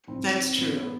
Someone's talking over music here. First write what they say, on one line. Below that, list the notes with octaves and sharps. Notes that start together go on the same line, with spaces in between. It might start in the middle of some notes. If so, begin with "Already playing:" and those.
That's true.
C2 C3 D#3 C4
C4
C#2 C3 E3 B3
B3